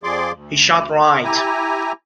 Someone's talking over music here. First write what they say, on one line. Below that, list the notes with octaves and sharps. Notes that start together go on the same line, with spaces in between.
He shot right.
F2 F3 G#4 D5 C6 D6
D2
E4 G4 G#5 A#5